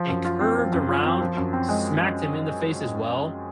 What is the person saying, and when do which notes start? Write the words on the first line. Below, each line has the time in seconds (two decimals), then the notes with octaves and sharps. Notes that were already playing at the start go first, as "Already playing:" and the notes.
it curved around, smacked him in the face as well,
Already playing: F3
0.09 F#2
0.25 F4
0.41 C4
0.56 F3
0.72 F#2
0.88 F4
1.05 C4
1.20 F3
1.37 F#2
1.53 C4
1.69 G#3